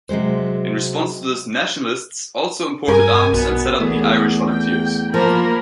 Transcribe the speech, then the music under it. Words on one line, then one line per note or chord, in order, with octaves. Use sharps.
In response to this, nationalists also imported arms and set up the Irish Volunteers.
C3 F#3 G#3 C5
G2 A#4 G#5
B1 B2 B3
E2 A3 G#4
G5
F3 A#3 A#4 B5